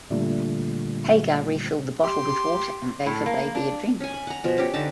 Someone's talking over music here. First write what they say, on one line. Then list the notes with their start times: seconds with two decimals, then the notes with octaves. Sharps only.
Hagar refilled the bottle with water and gave her baby a drink.
0.10 A#2 D3 G3 A3
2.02 G4 C6
3.06 A2
3.26 A#3
3.55 D4
4.00 C#4 G#5
4.14 B5
4.27 F#5 A#5
4.44 B2 F3
4.58 C#4 G4
4.73 D3 D#4 E5 A5